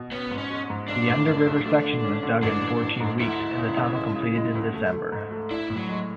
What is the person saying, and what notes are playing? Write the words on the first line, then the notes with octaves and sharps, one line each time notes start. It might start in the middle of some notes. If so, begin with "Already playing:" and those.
The under-river section was dug in fourteen weeks and the tunnel completed in December.
Already playing: B2
B3 C#4
G#2
C#4
G#3
G#2
B1 D4
A2
B1
B1
A3
D3
C#4
D3
A1 D4
A1
A1
G#2
D2 E4
G#3
C#3
C#3
G#3
C#3
G#3
D2
A3
A3
G#2
A3
D4 E4
A2
F#3
G#3